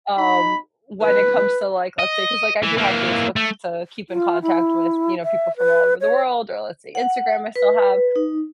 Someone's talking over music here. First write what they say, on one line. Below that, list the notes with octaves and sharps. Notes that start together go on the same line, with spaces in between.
um, when it comes to, like, let's say 'cause, like, I do have Facebook to keep in contact with, you know, people from all over the world, or let's say, Instagram, I still have.
D#4 B5
B4
D#5
E3
E3 A#3
A3
F4
E4
E5
B4
C#5
F#5
B4
D#4